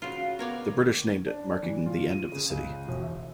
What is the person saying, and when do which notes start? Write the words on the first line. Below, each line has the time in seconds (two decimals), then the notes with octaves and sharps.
The British named it marking the end of the city.
0.02 C#3 F4 F#4
0.39 B3 A#4 C#5 D5
0.77 D#3
1.26 D4
1.63 E3
1.86 F4
2.11 D#7
2.32 C#3
2.50 C#2
2.88 E1
3.03 E5